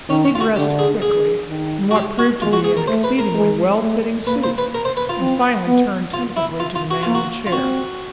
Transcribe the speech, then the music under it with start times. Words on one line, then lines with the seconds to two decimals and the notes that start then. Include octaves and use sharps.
He dressed quickly, in what proved to be an exceedingly well-fitting suit; and finally turned tentatively to the man in the chair.
0.09 D#3 C#4
0.25 C#4
0.35 F4
0.40 F#4
0.56 D3 G4
0.79 G#4
1.02 G#4
1.48 D#3
1.91 F#4
1.95 G4
2.19 F#4
2.42 G#3 F4
2.53 F#4
2.64 G#4
2.77 A#4
2.88 A3 C5
3.04 B4
3.19 A#4
3.34 G#3
3.81 A3
4.27 A#3 B4
4.44 C5
4.58 B4
4.74 A#4
4.85 C5
4.97 B4
5.09 F4
5.20 C4
5.67 B3
6.13 F4
6.37 E4
6.60 F4
6.75 F4
6.91 F#4
7.02 A#3 F4
7.15 F#4
7.46 F4
7.52 C4 F#4